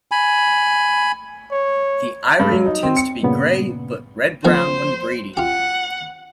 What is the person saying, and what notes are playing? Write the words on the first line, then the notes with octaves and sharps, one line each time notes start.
The eye ring tends to be grey but red-brown when breeding.
G#5 B5
C#5
G2
F#3
D#4
C4
C#7
G2 A#2 C#3 B3
F3 A3 B3 C5
F4 G4 F#5